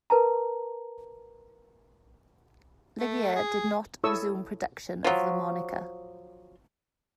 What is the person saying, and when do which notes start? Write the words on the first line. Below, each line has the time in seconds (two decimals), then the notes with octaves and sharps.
Ligier did not resume production of the Monica.
0.10 A#4 B4 A5 A#5
3.00 A3
3.36 G#4
4.04 E4 A4 C#5 C#6 D#6 E6
5.04 F3 F#3